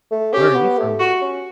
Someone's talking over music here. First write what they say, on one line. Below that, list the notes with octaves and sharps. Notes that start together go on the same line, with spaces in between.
Where are you from?
A3
C#4 G4
B3
A3
F#4
C#4